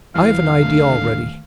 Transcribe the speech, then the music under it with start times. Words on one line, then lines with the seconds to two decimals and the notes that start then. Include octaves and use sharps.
I've an idea, already.
0.15 D#2 C3 E3 G3 F5
0.62 D3 D#3 A3